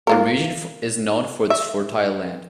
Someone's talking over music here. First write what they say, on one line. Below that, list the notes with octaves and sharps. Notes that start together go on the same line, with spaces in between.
The region is known for its fertile land.
A#3 F4 A#4
E5